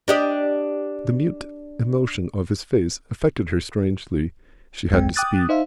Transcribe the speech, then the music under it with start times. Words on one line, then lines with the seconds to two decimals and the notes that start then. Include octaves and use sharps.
The mute emotion of his face affected her strangely. She had to speak.
0.08 D4 G4 D#5
4.91 G#1 C#2 F#2 G#3 C4 G5
5.16 G5 D6 D#6 F#6 A6
5.49 D#4 C5 E5 F5